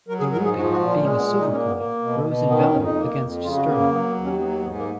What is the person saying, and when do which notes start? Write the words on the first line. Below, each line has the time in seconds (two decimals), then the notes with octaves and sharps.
The rupee, being a silver coin, rose in value against sterling.
0.08 F#3 A#4
0.19 G#4
0.31 G#2 A#4
0.44 G#4
0.56 F3 F#4
0.72 F#4
0.79 A#2
0.88 F4
1.03 G#3 C#4
1.16 B3
1.27 A#2
1.40 D#4
1.51 A#3 C#4
1.68 B3
1.75 A#3
2.00 B2
2.24 B2
2.48 D#3 B3
2.59 C#4
2.72 F2 C#4
2.83 D#4
2.96 A#3
3.20 F2
3.43 C#3 F4
3.56 F#4
3.68 A#3 B3
3.80 C#4
3.91 F#3 B3
4.08 B3
4.16 D#2
4.24 C#4
4.39 F#3 B3
4.51 A#3
4.63 G#2 B3
4.75 A#3